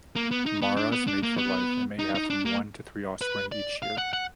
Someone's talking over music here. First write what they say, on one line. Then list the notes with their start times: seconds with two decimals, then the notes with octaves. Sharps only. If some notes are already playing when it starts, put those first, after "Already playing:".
Maras mate for life, and may have from one to three offspring each year.
0.16 A#3
0.31 B3
0.46 D#4
0.62 B3
0.77 D4
0.92 B3
1.07 D4
1.23 A#3
1.38 B3
1.99 D#4
2.15 D#4
2.30 D4
2.45 A#3
3.21 B4
3.52 D5
3.82 F5
3.98 F#5
4.13 F#5